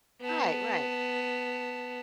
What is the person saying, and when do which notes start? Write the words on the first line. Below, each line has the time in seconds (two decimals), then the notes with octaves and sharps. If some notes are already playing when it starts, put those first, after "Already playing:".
Right, right.
0.21 B3 A5